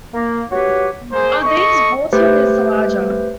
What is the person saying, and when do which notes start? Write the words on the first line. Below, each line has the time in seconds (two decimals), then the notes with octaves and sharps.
Of these, Bourton is the larger.
0.13 A#3
0.51 F#4 G4 B4 C#5
1.12 A#3 G#4 C5
1.43 A4 D#5 C#6
2.13 A3 G4 B4 C5